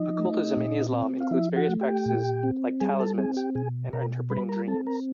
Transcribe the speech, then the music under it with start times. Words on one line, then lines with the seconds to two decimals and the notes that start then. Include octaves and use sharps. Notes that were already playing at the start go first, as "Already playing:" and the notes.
Occultism in Islam includes various practices like talismans and interpreting dreams.
Already playing: F3 D#4 D#5
0.20 A3
0.57 A#2
0.93 C4
1.20 F5
1.31 F3 E4 E5
1.56 F#4 F#5
1.69 A3
1.81 G4 G5
2.06 A#2
2.43 C4
2.80 G3 G#4 G#5
2.99 A4 A5
3.18 C4 G#4 G#5
3.37 G4 G5
3.55 B2 G#4 G#5
3.93 B2 A#4 A#5
4.30 G3 B4 B5
4.49 A#4 A#5
4.68 C4 A4 A5
4.87 A#4 A#5